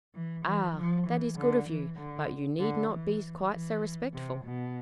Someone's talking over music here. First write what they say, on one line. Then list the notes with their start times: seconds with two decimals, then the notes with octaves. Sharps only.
"Ah! that is good of you; but you need not be quite so respectful."
0.15 E3
0.45 E3
0.76 F3
1.07 E3
1.37 D3
1.69 E3
1.99 D3
2.60 D3
2.91 E3
3.52 E3
4.13 C3
4.44 B2